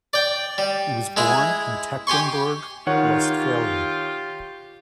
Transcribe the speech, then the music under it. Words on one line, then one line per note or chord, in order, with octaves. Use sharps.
He was born in Tecklenburg, Westphalia.
D5 G5
G3
G#3 E4 G#4
G4 G#5 C6 C#6
D#3 F4 G4 C#5 F#5